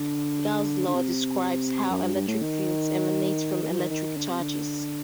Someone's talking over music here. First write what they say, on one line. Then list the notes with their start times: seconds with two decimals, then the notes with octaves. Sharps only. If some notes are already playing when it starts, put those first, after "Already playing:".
Gauss's law describes how electric fields emanate from electric charges.
Already playing: D3
0.87 D3
0.94 C3
1.90 F#2
2.02 G2
2.15 G2
2.28 A2
2.42 D#3
3.63 D#3
3.70 F#3
3.78 D#3
3.90 D#3
4.17 D3
4.28 C3
4.40 D3